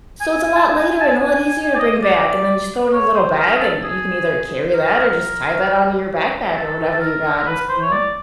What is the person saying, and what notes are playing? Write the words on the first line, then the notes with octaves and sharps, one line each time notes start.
so it's a lot lighter and a lot easier to bring back, and then just throw it in a little bag, and you can either carry that or just tie that onto your backpack or whatever you got and s you know?
G#5
G#5
A5
G#5
G#5
A5
G#5
G#5
G#5
D5
D#5
D5
C#5
C5
A#4
G#4
A4
G#4
A#4
A4
A4
A#4
A#4
B4
C5
C#5
D5